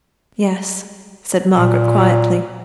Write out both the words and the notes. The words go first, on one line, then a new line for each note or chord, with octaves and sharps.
'Yes!' said Margaret, quietly.
A#2